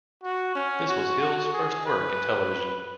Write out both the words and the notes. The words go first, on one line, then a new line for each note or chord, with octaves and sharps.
This was Hill's first work in television.
F#4
C#4
F#4
F#4
G#4
B4